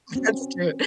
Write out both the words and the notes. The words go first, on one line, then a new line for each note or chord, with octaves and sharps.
that's true.
C4 C#4 F#4